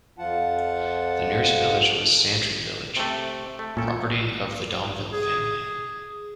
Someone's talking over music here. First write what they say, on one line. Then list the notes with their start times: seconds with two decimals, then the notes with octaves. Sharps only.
The nearest village was Santry Village, property of the Domville family.
0.19 F2 F3 F4 F#5 A5
2.97 C3 A3
3.59 A3
3.77 A#2 C#4 A4 G5
5.13 G#4